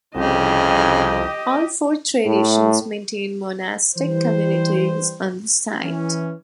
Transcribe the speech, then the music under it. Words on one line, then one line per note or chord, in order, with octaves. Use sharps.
All four traditions maintain monastic communities on the site.
C2 F2 C#3 G4 D#5
A2 A3
E3 G3 C5
E3 C#4